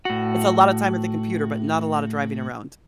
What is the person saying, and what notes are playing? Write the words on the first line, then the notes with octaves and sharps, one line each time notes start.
it's a lotta time at the computer, but not a lot of driving around.
A2 F#4